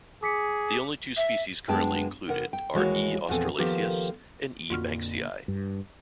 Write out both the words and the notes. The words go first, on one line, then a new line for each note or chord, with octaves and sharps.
The only two species currently included are "E. australasius" and "E. banksii".
G#4 D6 B6 C#7
E5
F#2 G#3 B3 D4 G5 A5
E2 C3 A#4 F#5
G5
D#2 E3 G#3 A#3 F#4 C#5
E2 A#2 F3 C4 A4 G#5
D#3 F3 A#3 B3 G4 A4
F2 A#2 D3 A#3 F4 F#4 F6
G2